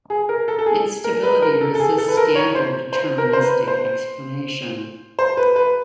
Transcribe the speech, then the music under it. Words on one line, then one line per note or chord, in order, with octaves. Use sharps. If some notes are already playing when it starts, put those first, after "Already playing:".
Instability resists standard deterministic explanation.
G#4
A#4
A4
A4
G#4
A#4
B4
A#4
A4
A4
G#4
A4
B4
A#4
C#5
C5
C5
A#4
C5
B4
B4
C5
C5
B4
B4